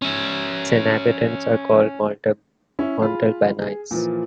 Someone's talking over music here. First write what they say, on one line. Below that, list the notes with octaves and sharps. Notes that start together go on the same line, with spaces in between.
Its inhabitants are called "Montalbanais".
C#4 E5
C#4 E4
F4 G#4 B5
G#4
A#2 E3 F3